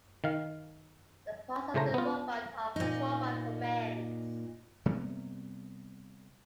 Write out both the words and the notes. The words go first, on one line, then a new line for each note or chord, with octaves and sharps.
The parts of the robot are controlled by commands.
D#3 F5
A2 C#3 A3 C5 A#5
B3 F4
A#2 D#4
C3 G3 A#3 B3